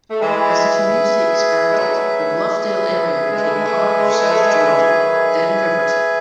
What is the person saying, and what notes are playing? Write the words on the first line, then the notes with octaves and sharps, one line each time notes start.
As the community expanded, the Bluffdale area became part of South Jordan, then Riverton.
A3
E3 G#3 G#4 B4 E5
G#3
F#3 A3
G#3 G#4 B4 E5 G#5
A3
G#3
A3
G#3
A3
G#3
A3
G#3
A3
G#3
A3
E3 G#3
E3
D#3 F#3